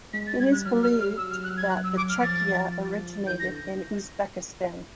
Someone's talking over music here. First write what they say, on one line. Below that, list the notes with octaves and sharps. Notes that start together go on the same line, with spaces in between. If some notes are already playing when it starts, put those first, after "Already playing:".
It is believed that the chechia originated in Uzbekistan.
G#3 B6
A6
G3 G#6
F#6
F#3 F6
F6
G3
F6
F#3 E6
F6
F#6
G#6
F#6
E6
D6
F6
F3 A6
E3 G6
A#6
D3